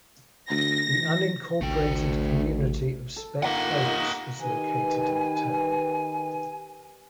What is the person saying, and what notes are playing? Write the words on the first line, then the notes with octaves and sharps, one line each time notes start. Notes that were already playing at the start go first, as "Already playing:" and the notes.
The unincorporated community of Speck Oaks is located in the town.
D2 A#6
E3
A1 D2 A3 G5
A4
A#3 D#4 F4 G4 F#5
A#3 D#4 D#5
D#3 G4 B4 G#5